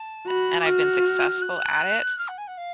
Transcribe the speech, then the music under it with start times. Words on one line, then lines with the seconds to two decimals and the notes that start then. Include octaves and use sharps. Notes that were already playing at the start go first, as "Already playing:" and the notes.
a and I've been successful at it,
Already playing: A5
0.27 F#4 B5
0.60 D6
0.66 F#4 F6
1.42 F#6
2.18 F6
2.28 F#5
2.38 G#5
2.47 F#5
2.57 F5